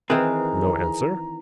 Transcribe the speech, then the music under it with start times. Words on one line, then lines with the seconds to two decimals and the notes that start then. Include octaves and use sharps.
No answer.
0.10 D#3 E3 C4 G#4 B4 A#5